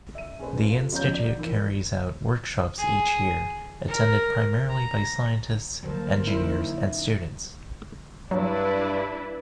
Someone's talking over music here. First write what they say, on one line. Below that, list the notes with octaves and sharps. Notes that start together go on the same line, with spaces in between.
The Institute carries out workshops each year, attended primarily by scientists, engineers, and students.
E5 D#7
C#4 G#4 A4 B4 C5
F4 A4
C#2 F3 B3 C#5 A#5 G6
D5
E3 E4 A#4
G#4
A#4
A#5
D3 F#3 G3 A#3 A#4 C5 A5
A#3 C#4 D#4 E4
G2 F#3 D4 E4 B4